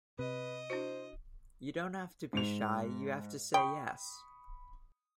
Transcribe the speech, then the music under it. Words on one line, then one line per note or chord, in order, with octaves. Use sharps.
You don't have to be shy, you have to say yes.
C3 B4 D#5
D4 E4 F#4 C5
G#2 F7
G5 B5 C#6 D#6